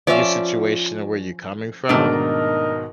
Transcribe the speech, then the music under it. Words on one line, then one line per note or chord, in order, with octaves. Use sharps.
your situation and where you're coming from,
F3 C#4 D5 E5
G#2 B2 D#3 A3 D4 D#4 A#4 D#5